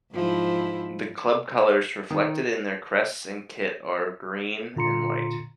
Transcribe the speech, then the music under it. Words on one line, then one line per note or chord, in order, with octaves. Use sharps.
The club colours, reflected in their crest and kit, are green and white.
G#2 F3 E4
D#3
A#2 D3 F4 A#5 C6 C#7